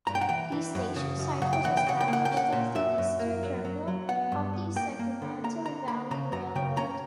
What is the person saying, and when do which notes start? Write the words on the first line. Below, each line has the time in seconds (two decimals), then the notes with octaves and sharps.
The station site was established as the eastern terminal of the Sacramento Valley Railroad.
0.07 G2 A#5
0.15 G5
0.21 F#5
0.29 E3 G5
0.52 E3
0.75 F#2
0.96 C#3
1.19 F#2
1.42 C#3 F#5
1.53 G5
1.64 E3 F#5
1.77 G5
1.87 C#3 F#5
2.01 G5
2.08 A#3
2.13 F#5
2.25 G5
2.31 C#4
2.37 F#5
2.52 A#2
2.75 F#2 E5
2.98 F#2
3.19 A#3
3.43 F#3
3.65 F#3
3.88 F#3
4.09 B3 F#5
4.32 G2
4.54 B3
4.76 A#3 G5
4.99 A#3
5.22 D3
5.44 A#3 A#5
5.66 D3 A#5
5.88 A#3 B5
6.11 C#3 A#5
6.32 F#2 A#5
6.55 C#3 G5
6.77 C#4 A#5